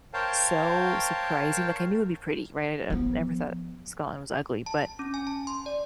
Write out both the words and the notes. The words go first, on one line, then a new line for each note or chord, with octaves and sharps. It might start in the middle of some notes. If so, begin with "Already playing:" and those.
so surprising, like, I knew it'd be pretty, right? I n never thought Scotland was ugly, but
A#4 C5 C#5 F5 G5 A5
F3 B3
A5
C#4
G#5
A5
C6
D5